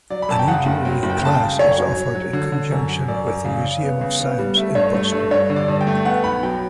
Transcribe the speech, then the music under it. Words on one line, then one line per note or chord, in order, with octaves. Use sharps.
An engineering class is offered in conjunction with the Museum of Science in Boston.
F#3 D5
B5
F#2 A5
G5
C#3 F#5
F#1
F#3 G5
F#1
G5
C#3 A5
G5
C#3
F#2 C#5
F#3
F#3
F#3
D3
D3
F#2
F#3
F#2 D5
F#2
C#3
C#3
B3
C#3
B3
G3
A3 E5
G2 C#5
A3
G2 A4
G2 C#5
D3
D5
G2
G5
A3
B3 F#5
B1 B5
F#3 G5